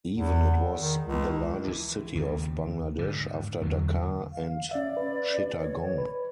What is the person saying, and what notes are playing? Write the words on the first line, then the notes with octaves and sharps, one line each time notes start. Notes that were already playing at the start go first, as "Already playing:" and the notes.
Even it was the largest city of Bangladesh after Dhaka and Chittagong.
E2
D#3
C#2
E3
D#2 C#3
G#2 D3
E2 D3 D#3 F#3
F5
C#4 D5 E5
B4
C#5
B4